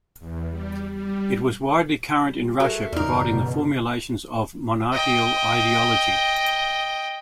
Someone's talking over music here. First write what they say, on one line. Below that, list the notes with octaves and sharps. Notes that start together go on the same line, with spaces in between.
It was widely current in Russia providing the formulations of monarchical ideology.
E2
G3
G3
G3
A3 F#4 G#4 A#4
E2 G2 C#3 E3 G3 D#4 A#4
B2
D#5 G5